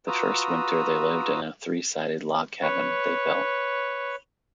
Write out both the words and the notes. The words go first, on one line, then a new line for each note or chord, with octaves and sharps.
The first winter, they lived in a three-sided log cabin they built.
F4 F#4 B4 A#5 D#6 E6
B4 C#5